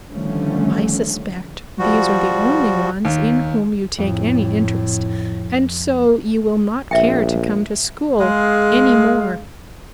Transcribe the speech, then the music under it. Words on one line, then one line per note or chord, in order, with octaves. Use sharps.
I suspect these are the only ones in whom you take any interest, and so you will not care to come to school any more.
D3 D#3 F3 G3 A3 C#4
F3 G3 F#4
D#2
F2 A2
A#1 E5 G5
G#3 F5